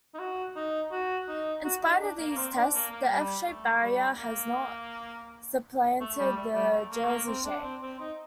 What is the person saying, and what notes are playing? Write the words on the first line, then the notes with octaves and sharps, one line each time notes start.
In spite of these tests, the F-shape barrier has not supplanted the Jersey-shape.
D#4
F#4
D#4
F#4
D#4
F#4
D#4
D4
A#3
A#3
C4
D4
A#3
A#3
G3
A3
G3
A#3
A3
G3
A3
G3
A3
A#3
A3
A#3
C4
D4
C4
C4
D#4